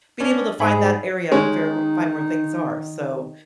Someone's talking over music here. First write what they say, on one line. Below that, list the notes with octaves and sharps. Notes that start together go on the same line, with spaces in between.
being able to find that area and fair were find where things are, so,
C#4 D4
G#2 G#4 B5
D#3 G#3 C#4 D#4 C#5